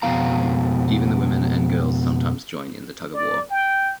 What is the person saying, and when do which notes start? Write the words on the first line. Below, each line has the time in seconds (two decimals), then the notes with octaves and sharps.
Even the women and girls sometimes join in the tug of war.
0.02 F2 B2 A3 D#4 F5 A#5
3.14 D5
3.51 G5